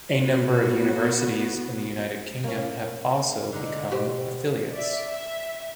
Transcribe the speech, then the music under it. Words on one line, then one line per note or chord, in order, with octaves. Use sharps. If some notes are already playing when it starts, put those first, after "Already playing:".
A number of universities in the United Kingdom have also become affiliates.
B3 F#4
A#3 C#4
D3 D#4
B2 G4 C5
D5 E5
E5